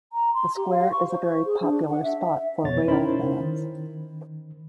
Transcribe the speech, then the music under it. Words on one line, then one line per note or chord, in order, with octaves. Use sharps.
The square is a very popular spot for railfans.
A#5
C6
G4
F5
C#6
C5
G#4
D4
F#5
E5
E5
F2 B2 C#5 A6
C#4 D#4 E4 A#4 C5 B5
D#3